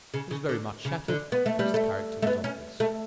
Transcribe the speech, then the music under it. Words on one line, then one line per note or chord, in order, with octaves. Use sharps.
It was very much shattered, but its character was obvious.
C#3
C#3
D3
C#3
D3
B3
A3
G3
A3
A3
B3
C#4
A3